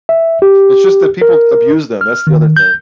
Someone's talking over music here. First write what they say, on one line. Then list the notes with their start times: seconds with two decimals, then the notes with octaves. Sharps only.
It's just that people abuse them, that's the other thing.
0.09 E5
0.42 G4
1.22 A#4
2.01 F6
2.27 D#3
2.57 G6